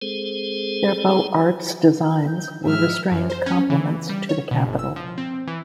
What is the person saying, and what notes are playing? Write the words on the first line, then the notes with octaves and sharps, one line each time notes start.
Their Beaux Arts designs were restrained complements to the Capitol.
G#3 C4 G#4 A4 C5
G6
G#2 F3 G#3 E5 F6
F#2
C5
C#4
E3
G3
C#5
B2
G1
E6
F3
C4
E3